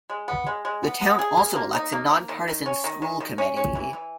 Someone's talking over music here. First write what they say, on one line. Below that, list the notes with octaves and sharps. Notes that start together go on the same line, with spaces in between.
The town also elects a non-partisan school committee.
G#3
B3
G#3
G#3
B3
B3
G#4
A#3
A#3
D#4
A#3
A#3
D#3
D#3
C#4
D#3
D#3
D#3
C#4
C#4
E3
E3